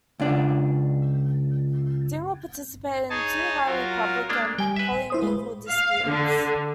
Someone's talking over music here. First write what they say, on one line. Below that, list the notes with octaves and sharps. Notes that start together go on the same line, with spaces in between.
Dingle participated in two highly public and polemical disputes.
C#2 D4
D#4 G#4 C#5 G#5 A5
F#3 F4 A#4
G#3 A#3 D4
G3 G5 G#5
B4 E5
E4 C5 D#6
G#3 B4
F5
D3